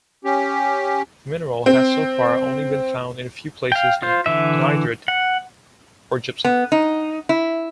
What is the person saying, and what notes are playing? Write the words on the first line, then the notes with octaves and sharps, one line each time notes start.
The mineral has so far only been found in a few places in anhydrite or gypsum.
C#4 G4
C4
F5 G5
F4 C5
D3 E3 E5
F#5
B3
D#4
E4